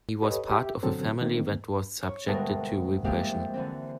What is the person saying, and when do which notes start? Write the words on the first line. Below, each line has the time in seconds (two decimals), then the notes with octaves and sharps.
He was part of a family that was subjected to repression.
0.22 G4 A4 B4 C#5 D#5
0.51 G4 E5
0.83 B2 D3 F#3 C4 A4
1.21 D3 D#3 A3 A#3 C4
2.03 C#5
2.27 D2 B2 G3 G#3 A4 A#4
3.04 F2 G#3 A#3 E4 G4 F5
3.54 D3 E3 C4